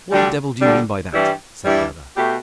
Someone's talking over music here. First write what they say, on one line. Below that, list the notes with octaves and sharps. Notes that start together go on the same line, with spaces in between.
"What the devil do you mean by that?" said the other.
D2 D3 G3 D4
D2 D3 G3 D4
G2 E3 G3 E4 G4
G2 E3 G3 E4 G4
B2 A3 G4